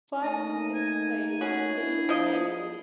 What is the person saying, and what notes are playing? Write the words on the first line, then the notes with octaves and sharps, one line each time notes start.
Five to six plays were staged annually.
A3 A#3 D#4 D#5
G#5
C#4 F#4 G#4
D4 E4
F3 D#5